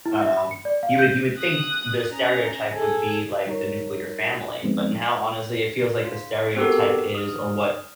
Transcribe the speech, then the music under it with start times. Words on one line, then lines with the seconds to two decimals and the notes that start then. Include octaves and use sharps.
I know, you would you would think the stereotype would be like the nuclear family, but now, honestly, it feels like the stereotype is or what
0.06 E4
0.21 E5
0.37 B5
0.51 C#7
0.65 D5
0.83 F5
0.99 G6
1.38 D#6 F#6
2.12 C#4 A#5
2.73 G#4 A4
3.47 G3 D#4 A#4 C#5
4.63 F#2 F3 G#3 B3 C4 D#4
6.05 F4
6.56 B3 C4 F#4 G4 A4 A#4
7.15 D#6 F6